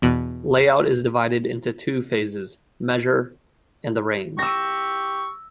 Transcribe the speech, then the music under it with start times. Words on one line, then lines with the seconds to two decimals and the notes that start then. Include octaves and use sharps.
Layout is divided into two phases: "Measure"; and "Arrange".
0.02 E2 B2
4.39 G4 C#6 E6 A#6